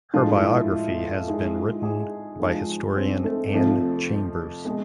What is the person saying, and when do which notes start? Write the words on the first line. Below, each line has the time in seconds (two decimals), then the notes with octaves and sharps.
Her biography has been written by historian Anne Chambers.
0.14 A2 F3 G#3 F4
0.42 E4
0.71 E4
1.27 G#2 G#3 E4
1.55 F4
1.83 G#4
2.40 G#2 F3 G#3
2.96 C4
3.24 A3
3.53 F2 C3 F3 A3
4.65 B2 G#3